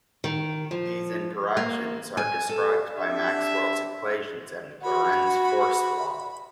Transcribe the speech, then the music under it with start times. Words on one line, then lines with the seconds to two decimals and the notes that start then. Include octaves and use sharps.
These interactions are described by Maxwell's equations and the Lorentz force law.
0.24 D#3
0.71 F3
1.57 A#3
2.17 G#5
2.49 A4
2.97 D4 G4 E5
4.83 F#4 B5